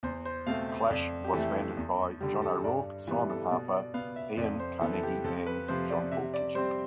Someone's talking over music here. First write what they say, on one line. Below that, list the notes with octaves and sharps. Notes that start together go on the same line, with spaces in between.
"Clash" was founded by John O'Rourke, Simon Harper, Iain Carnegie and Jon-Paul Kitching.
E2 C5
C5
B2 A3 C4 F5
E5
F2 D5
G4
E3 A3 A4
E2
D3 G3 G4
A4
G2 D5
E3 G3 B3
A4
B2 D5
D5
B3 F5
E5
F2 D5
C5
E3 B3 A4
A4
G4
F2 A4
B4
C3 F3 C5
D5
C3 E5
D5
G3 C4 C5